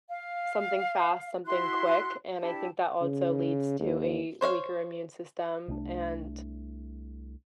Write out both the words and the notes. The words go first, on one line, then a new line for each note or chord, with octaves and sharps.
Something fast, something quick, and I think that also leads to a weaker immune system, and
F5
E4 F#4 C6 F#6
D4 E4 G4 A5
C#3
D#2
C5 C#5 D#5 F5
C2 A3 D4